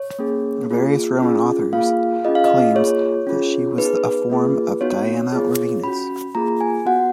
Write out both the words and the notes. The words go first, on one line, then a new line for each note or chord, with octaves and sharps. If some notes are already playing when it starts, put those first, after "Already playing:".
Various Roman authors claims that she was a form of Diana or Venus.
Already playing: C#5
A#3 C#4 G#4
A#3 F4 G#4
C#4 F4 G#4
A#3 F4 G#4 F5
C#4 F4 G#4 D#5
F5
D#5
A#3 F4 G#4 C#5
C#4 F4 G#4
B3 D#4 G#4 B4
A#3 F4 G#4
B3 D#4 F#4 C#5
B3 F4 G#4
C#4 F#4 B5
A#3 F4 G#4 A#5
G#5
B3 F#4 F#5